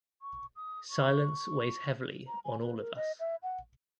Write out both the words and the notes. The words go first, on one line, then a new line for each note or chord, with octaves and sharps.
Silence weighs heavily on all of us.
C#6
D#6
C#6
A#5
G#5
B4
A#4
D#5
E5
F#5